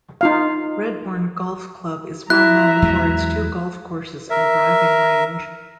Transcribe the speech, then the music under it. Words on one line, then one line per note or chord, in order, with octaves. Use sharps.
Redbourn Golf Club is well known for its two golf courses and driving range.
D#4 F4 F5
E4 E5 A#5 F#6
E2 F#3 G#3
A#4 E5